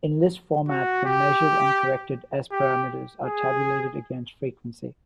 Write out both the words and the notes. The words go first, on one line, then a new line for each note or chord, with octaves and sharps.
In list format the measured and corrected S-parameters are tabulated against frequency.
F#4
G4
G4
G#4